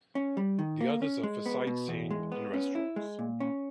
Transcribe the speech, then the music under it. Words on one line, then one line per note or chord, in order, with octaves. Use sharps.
The others are for sightseeing and restaurants.
C#4
G3
D#3
A#3
C#4
G#3
B3
B2
E2
G#3
B3
C#4
E4
G#3
A#2
C#4